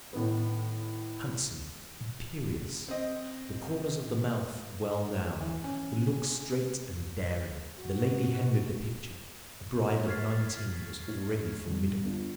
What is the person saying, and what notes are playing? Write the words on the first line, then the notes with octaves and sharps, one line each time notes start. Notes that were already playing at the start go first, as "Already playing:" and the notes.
Handsome, imperious, the corners of the mouth well down, the look straight and daring--the Lady Henry of the picture, a bride of nineteen, was already formidable.
A2 D#3 B3
C4 D#5
E3
C#4
F#4
C#6 F6 G#6 A6 B6 C7
D3 G3
B3 D4 F4